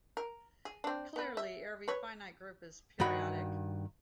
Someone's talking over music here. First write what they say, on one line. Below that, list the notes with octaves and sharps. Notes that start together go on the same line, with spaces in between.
Clearly, every finite group is periodic.
A#4
G#4
C4 D4
B3 B4
E5
B4 C#5
G2 D#3 F#4 B5